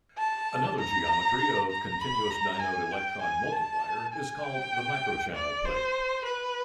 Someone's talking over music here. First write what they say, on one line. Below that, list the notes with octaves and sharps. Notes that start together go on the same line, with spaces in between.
Another geometry of continuous-dynode electron multiplier is called the microchannel plate.
A5
A#5
A#5
B5
A#5
G#5
G5
G#5
A5
G#5
G5
D5
C5
B4